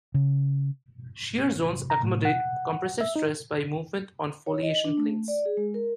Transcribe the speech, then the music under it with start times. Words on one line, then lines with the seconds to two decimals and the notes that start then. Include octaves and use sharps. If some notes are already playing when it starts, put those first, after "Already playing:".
Shear zones accommodate compressive stress by movement on foliation planes.
0.14 C#3
1.90 A#5
2.03 A2
2.25 F#5
3.01 E5
3.16 D#4
4.46 C#5
4.62 D#5
4.85 D4
4.97 A3
5.28 D5
5.45 G#4
5.57 G#3
5.74 A#4